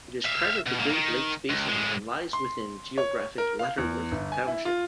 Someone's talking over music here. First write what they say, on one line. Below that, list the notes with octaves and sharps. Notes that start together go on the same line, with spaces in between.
It is part of the Great Lakes Basin and lies within geographic Lutterworth Township.
E5 F5
B2
G#2 A#3
D#3
C#2
A2 G#3
C6
C#5
A#4
F5
E2
G1
G#5
E4
F4